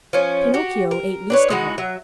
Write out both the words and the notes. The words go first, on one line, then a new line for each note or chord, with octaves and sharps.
Pinocchio ate least of all.
F3 C#4
F#4 G4
A#4
D4 B4 C#5
G#3 D#4 E4 F#4
F#3 E5